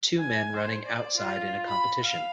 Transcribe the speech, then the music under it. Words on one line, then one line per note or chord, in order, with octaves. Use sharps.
Two men running outside in a competition.
G#5
C5
D5
F4
B5
F5